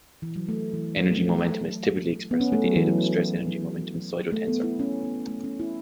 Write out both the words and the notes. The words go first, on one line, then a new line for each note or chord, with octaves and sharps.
Energy-momentum is typically expressed with the aid of a stress-energy-momentum pseudotensor.
E3
F#3
A3
E3
F#3
A3
A3
B3
C#4
A3
F#3
E3
F#3
A3
B3
E4
C#4
B3
A3
C#4
E4